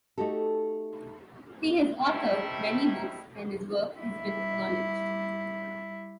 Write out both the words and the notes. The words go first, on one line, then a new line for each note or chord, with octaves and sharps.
He has authored many books, and his work has been acknowledged.
A3 D#4 F#4 G4 A4
G3 A3 C4 D#4 E4
G3 E4